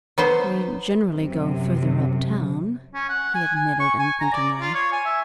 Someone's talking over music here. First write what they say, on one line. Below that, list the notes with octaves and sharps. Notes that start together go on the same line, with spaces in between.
"We generally go further up town," he admitted unthinkingly.
F#3 B3 C5
F#2 C3
C#4
F#5
G#5
G#5
C#6
G#5
A#5
D5
F4
C#5
G#5
E5